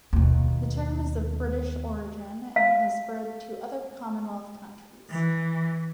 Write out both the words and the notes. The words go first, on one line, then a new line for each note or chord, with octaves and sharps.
The term is of British origin and has spread to other Commonwealth countries.
D#2 B2
F5
E3